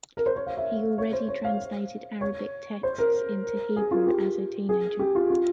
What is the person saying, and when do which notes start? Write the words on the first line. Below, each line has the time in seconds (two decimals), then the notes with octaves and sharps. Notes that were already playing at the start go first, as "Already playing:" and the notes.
He already translated Arabic texts into Hebrew as a teenager.
0.17 A#4
0.26 C5
0.36 C#5
0.47 F5
0.57 E5
0.98 C#5
1.13 C5
1.28 C#5
1.45 F5
2.21 C#5
2.83 C5
2.98 A#4
3.76 G#4
3.91 F4
4.07 G4
4.69 G#4
4.99 G4
5.15 F4
5.30 F4